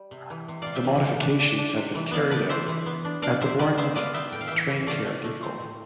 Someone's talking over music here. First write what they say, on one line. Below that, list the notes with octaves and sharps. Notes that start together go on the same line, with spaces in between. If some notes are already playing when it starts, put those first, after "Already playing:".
The modifications have been carried out at the Bournemouth Traincare Depot.
Already playing: G3
C3
E3
C3
C3 D5 F5
E5 G5
E3
C3
D4
D4
D4
C3
E3
B3 D5 F5
D4 B4 D5
E3 C5 E5
E3
B3
D4
D4 D5 F5
C3 C5 E5
G3 B4 D5
B3 C5 E5
B3 D5 F5
B3 E5 G5
A2 G5
F5
E3 E5 G5
E3
A3 D5 F5
A3
A3
C4
A2